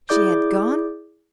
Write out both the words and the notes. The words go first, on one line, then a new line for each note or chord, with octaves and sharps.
"She had gone?"
E4 G#4 D5 D6 G6